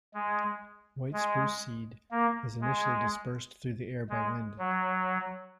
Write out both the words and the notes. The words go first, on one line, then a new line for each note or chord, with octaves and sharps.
White spruce seed is initially dispersed through the air by wind.
G#3
G#3
A#3
G#3
G#3
F#3